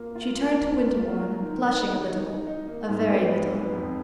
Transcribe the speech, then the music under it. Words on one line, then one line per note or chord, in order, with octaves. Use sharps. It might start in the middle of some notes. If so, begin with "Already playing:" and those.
She turned to Winterbourne, blushing a little--a very little.
Already playing: A#3 F4
F4
A#4
A#4
A#3
F4
A#4
D#3
D#3
D#4
D#4
D#4
D#4
A#3
G#2
B3
G#3
B3
F2